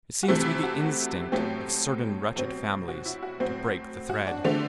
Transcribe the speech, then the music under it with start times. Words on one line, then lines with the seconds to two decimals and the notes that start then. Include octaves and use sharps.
It seems to be the instinct of certain wretched families to break the thread.
0.23 F#4
0.28 C3 E3 A3 C4 E4
0.46 E4
0.63 F#4
1.32 A2 F#3 A3 C4 G4
2.36 B2 F#3 C4
2.88 F#4
3.05 E4
3.23 F#4
3.40 A2 F#3 C4
4.09 F#4
4.27 D4
4.44 D3 A3 C4 D4